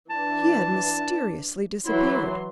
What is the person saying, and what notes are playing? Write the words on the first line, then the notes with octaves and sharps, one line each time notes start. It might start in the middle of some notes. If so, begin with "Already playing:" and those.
He had mysteriously disappeared.
E3 D4 A5
E3 F#3 E4 C6